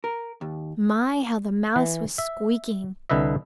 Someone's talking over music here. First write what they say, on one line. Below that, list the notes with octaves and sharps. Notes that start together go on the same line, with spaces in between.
My! how the mouse was squeaking!
A#4
D#2
E3
E5
C2 D3 B4 D#5 E5